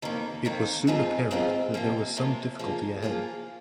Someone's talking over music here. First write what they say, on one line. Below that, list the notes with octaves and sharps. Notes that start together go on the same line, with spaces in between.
It was soon apparent that there was some difficulty ahead.
F2 D#3 A#3
F2 D#3 A#3
G#2 F3 C4 F4 G#4
G#2 F3 C4 F4 G#4
C3 F3 A#3
C3 F3 A#3
F3 A#3 F4 G#4
F3 A#3 F4 G#4